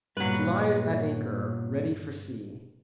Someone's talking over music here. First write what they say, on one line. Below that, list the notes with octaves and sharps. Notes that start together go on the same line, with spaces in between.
She lies at anchor, ready for sea.
G2 A#2 F#3 G3 B3 B4